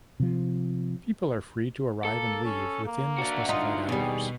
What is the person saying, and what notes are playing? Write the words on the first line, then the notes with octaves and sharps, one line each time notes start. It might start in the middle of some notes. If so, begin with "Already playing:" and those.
People are free to arrive and leave within the specified hours.
C3 F3
A#3 A4
C#4
A#3
D4 F#4
D#4 F4
D#2 B2 G3 G#4